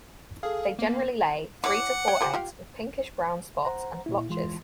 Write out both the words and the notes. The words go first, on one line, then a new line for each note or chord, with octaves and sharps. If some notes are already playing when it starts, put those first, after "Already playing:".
They generally lay three to four eggs with pinkish brown spots and blotches.
G#4 A4 F5
A#3 B3
E4 C#5 F#5 D6
C#5 G5
F4 G4 C5
F4 G4 F5
C5 F#5 A#5
A#2 E4
E3 G#3 F4 C6